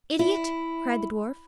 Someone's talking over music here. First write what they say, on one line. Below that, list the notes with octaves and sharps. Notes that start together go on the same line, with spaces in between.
"Idiot!" cried the dwarf.
E4